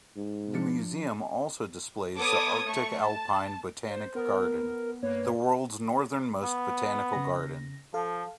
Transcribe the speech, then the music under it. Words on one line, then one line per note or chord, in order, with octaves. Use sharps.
The museum also displays the Arctic-alpine botanic garden, the world's northernmost botanical garden.
G#2
F3 D4 C#7
B3 A4 C#5 D6 D#6 G#6
A3 C#6
A5
C5
B3 A#4
G2 A#3 B4 C#5
B3
C#3 A#6
F3 A4 F5